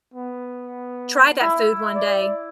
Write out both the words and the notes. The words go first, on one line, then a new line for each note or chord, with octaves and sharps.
try that food one day.
B3
E4
D5